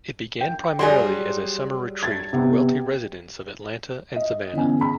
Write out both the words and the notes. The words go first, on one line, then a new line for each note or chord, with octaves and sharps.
It began primarily as a summer retreat for wealthy residents of Atlanta and Savannah.
G5
F#3 G3 G#4 D5 C6
G#6 A6
C3 B3 C4
D#5
D3 E3 B3 C#4 G#5
G#4 B5